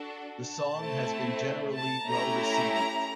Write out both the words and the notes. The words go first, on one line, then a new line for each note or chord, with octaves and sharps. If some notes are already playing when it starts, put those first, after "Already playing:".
The song has been generally well received.
Already playing: D4 F#4 A4
A5
A3 C4 E4
A5
A3 C#4 E4 G4 A#5
A#5
A#5